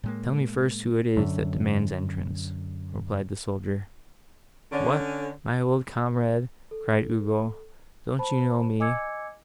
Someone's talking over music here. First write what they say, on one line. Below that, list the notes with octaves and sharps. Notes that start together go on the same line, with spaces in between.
'Tell me first who it is, that demands entrance,' replied the soldier. 'What! my old comrade,' cried Ugo, 'don't you know me?
A2 G#3 A#3
F#2 D3
D3 C#4
A4
C5 A5 B5
D#5 G#5 D6 E6 G#6 C#7